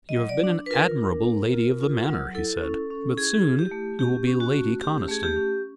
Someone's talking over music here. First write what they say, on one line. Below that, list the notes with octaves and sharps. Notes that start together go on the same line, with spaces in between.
"You have been an admirable Lady of the Manor," he said. "But soon you will be Lady Conniston."
D#5
F#3
D5
D4
B4
F4 A#4
D4
A#3
F4
F4
F#3
E4 A4
C#4
C#4
E4 G#4
E4
G4
A3
C#4 G4
C#4
F#4
A3
C#4 G4
A3 G#4
G4
C#4